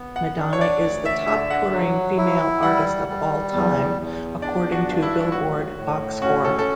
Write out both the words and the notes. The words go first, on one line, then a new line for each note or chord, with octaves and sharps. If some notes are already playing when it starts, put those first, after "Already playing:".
Madonna is the top touring female artist of all time according to "Billboard" Boxscore.
Already playing: B3
F#5
D4
C#5
D5
D2
E5
D3 E5
F#5
F#3
E4
G3 F#5
G3
E2
E2
D4 D5
F#4
G2
E4
A2 F#4
A2
C#4 F#4
A4
A4